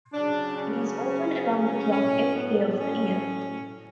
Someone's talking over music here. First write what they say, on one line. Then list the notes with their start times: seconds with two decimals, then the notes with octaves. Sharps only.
It is open around the clock, every day of the year.
0.13 C#3 F#3 D4
0.57 C#4
1.91 A2 F#3 C#4
2.36 B3
2.80 C#4